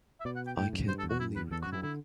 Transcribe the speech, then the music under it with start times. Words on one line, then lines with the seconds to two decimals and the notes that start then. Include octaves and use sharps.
I can only record.
0.21 E5
0.25 B2 D5
0.36 F#5
0.47 G5
0.57 A2 G5
0.73 F#2
0.88 G2 C5
0.99 A4
1.04 E2
1.10 F#4
1.20 F#2 E4
1.36 E2 B4
1.51 E2 A4
1.63 F#4
1.67 F#2
1.73 E4
1.83 D3 E4